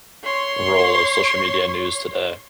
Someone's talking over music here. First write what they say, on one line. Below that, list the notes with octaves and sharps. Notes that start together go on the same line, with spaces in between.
role of social media news today?
C#5 C6